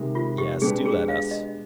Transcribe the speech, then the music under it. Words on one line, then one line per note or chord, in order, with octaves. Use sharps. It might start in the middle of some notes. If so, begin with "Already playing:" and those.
"Yes, do let us."
Already playing: C3 D#3 G#3
F4
G4
B2 G#3 D4 G4 G#4 B4
G#4
F5
D#5